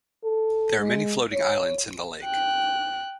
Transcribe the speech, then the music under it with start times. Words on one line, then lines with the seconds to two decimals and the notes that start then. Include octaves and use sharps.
There are many floating islands in the lake.
0.24 A4
0.79 G#3
1.33 C#5
2.24 G5 F#6